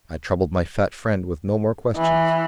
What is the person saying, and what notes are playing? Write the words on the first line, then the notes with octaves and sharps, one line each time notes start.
I troubled my fat friend with no more questions.
E3